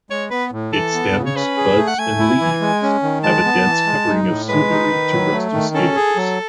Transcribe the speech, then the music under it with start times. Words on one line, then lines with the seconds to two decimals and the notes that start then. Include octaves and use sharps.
Its stems, buds, and leaves have a dense covering of silvery to rusty scales.
0.10 G#3 C#5
0.30 B3 B4
0.52 A2
0.73 E3 A4
0.94 B3
1.15 C#3
1.26 C#5
1.35 C#4 B4
1.57 G#4
1.77 A3
1.87 F#5
1.98 A3 G#5
2.19 E4
2.41 E3
2.61 G#3
2.83 C#4
3.03 D#3
3.24 G#3 A5
3.45 B3
3.65 E3
3.87 G#3
4.08 D#4
4.28 A2
4.49 G#3 B4
4.70 D#4
4.91 D#3
5.12 F#3
5.33 A3
5.53 D#3
5.74 C#4 A4
5.96 G#4
6.17 F#3